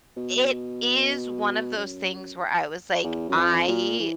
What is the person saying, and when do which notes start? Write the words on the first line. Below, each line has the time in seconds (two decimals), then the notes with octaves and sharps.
it is one of those things where I was like, I
0.17 B2
1.76 F#2
3.04 E2
3.29 F#2
3.36 F2
3.68 A#2
4.00 E3